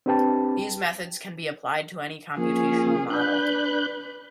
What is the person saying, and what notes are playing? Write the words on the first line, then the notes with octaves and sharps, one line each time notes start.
These methods can be applied to any computational model.
C4 D4 G4 B4 G5 A5
F3 A#3 C#4 G#4
D4 B4 F#6 G6